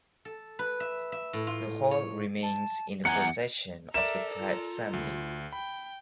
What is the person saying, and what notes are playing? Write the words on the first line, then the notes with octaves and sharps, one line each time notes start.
The hall remains in the possession of the Pratt family.
A4
B4
E5
E5
A2
F4
C#5
A5
E2 F#5 G#5 A#5 C#7
A4 A#4 D5 E5 A#5 E7
F4
D2
G5 B5